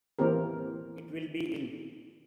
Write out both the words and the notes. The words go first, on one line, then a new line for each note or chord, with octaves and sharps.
It will be ill.
E3 A#3 C4 G4 A#4